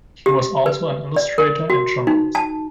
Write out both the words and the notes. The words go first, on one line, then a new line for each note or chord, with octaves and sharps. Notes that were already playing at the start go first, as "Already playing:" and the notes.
He was also an illustrator, and journalist.
G4
B4
D5
A#4
F#4
D#4
A5